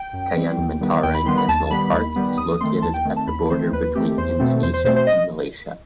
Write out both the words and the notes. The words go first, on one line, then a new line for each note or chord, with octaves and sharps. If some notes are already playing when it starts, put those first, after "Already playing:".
Kayan Mentarang National Park is located at the border between Indonesia and Malaysia.
Already playing: G5
F#2
E3 G3 C4
D#2
D#3 G3 B3
D#2 G5
B5
D#3 G3 B3 C6
B5
D#2 A5
D#3 G3 B3 B5
D#2
D#3 G3 B3
D#2 D#6
D#3 A3 C4 C6
D#2 A5
G5
D#3 A3 C4
A5
D#2 B5
D#3 A3 C4 C5
D#2 B4
D#3 A3 C4 G4
E2 C5
B2 A3 C4
E2 C5
C5
B2 A3 C4 C5
C5
D#5